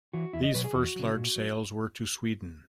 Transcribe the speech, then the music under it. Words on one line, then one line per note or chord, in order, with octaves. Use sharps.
These first large sales were to Sweden.
E3 F#4
E2 E4
D#5
B2 F#3 B4
G#4
E2 F#4
C#3 F#3
A#2
F#3